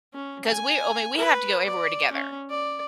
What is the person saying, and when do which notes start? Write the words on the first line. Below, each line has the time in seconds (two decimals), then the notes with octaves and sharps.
'cause we're I mean, we have to go everywhere together,
0.13 C#4
0.46 G#5
1.17 B4
1.64 D5
2.12 C#4
2.49 D5